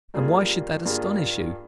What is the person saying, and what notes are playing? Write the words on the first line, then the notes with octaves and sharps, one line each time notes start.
And why should that astonish you?
G2 G3 A#3 F4 G#4
G2 G3 A#3 F4 G#4